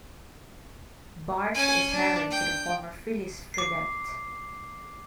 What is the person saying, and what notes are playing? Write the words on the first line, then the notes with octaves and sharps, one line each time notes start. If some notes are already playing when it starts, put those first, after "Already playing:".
Bart is married to the former Phyllis Fredette.
C#4 G#5
D4
G5
D6 C7